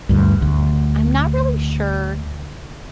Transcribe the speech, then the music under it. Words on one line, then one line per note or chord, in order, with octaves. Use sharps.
I'm not really sure.
D2 G2
D2